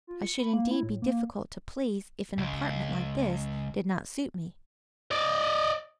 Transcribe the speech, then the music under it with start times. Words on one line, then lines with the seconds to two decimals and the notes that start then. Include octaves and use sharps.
I should indeed be difficult to please if an apartment like this did not suit me.
0.07 F4
0.23 C#7
0.40 B5
0.53 A#3
0.71 E4
0.83 A2
1.02 A#3
2.38 C#2
5.11 D5 D#5